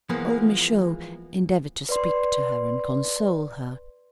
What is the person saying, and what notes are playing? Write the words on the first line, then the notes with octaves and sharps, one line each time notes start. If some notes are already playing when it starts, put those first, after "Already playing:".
Old Michaud endeavoured to speak to her and console her.
E3 F3 G#3 A#3 B3 F4
B4 D5 C6